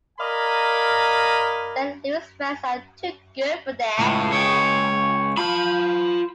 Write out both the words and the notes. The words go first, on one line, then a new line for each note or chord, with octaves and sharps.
Saint Louis fans are too good for that.
A#4 D5 D#5 F5 G#5 B5
C#2 A2
C#5 G5
F4 A5 B5